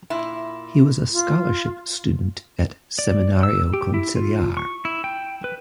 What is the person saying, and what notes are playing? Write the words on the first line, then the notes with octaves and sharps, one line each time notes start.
He was a scholarship student at Seminario Conciliar.
A#2 E4
F4
D5
E6
G4
E4
F4
C#6
E4
G5
B4